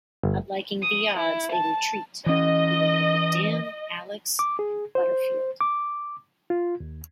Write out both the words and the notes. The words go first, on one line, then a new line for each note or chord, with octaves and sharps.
Not liking the odds, they retreat, leaving only Dan, Alex and Butterfield.
G1
D#6
E4
A5
E3 C#4 D#5
D6
G#4
C5
D6
F4
D#2